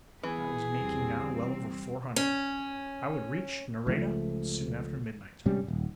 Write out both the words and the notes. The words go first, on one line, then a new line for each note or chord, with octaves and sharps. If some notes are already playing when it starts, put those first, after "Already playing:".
I was making now well over four hundred; I would reach Nareda soon after midnight.
E3 B3 G#4
E2 C3 G3 C4
C#4
C#2 F3 A3
G#2 C3 G3 C#4
D#1